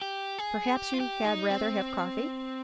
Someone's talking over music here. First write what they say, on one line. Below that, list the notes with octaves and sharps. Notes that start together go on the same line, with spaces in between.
"Perhaps you had rather have coffee?"
G4
G#4
G4
F4
G4
D#4
C4